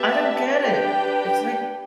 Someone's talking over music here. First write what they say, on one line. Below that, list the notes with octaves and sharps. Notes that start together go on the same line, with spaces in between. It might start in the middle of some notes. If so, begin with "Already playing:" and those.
I don't get it, it's like
Already playing: B3 G4 B4 E5 A5
D4 G4 B4 G5